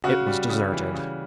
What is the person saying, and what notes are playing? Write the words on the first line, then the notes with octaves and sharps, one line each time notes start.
It was deserted.
C#3 F#4
G3
C#3
E3
C#3